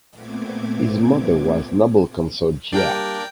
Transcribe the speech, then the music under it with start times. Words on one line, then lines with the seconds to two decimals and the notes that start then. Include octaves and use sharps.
His mother was Noble Consort Jia.
0.14 A#2 A3 B3 C4 D6 G#6
2.73 G3 A#3 D4 A#4 D5 G5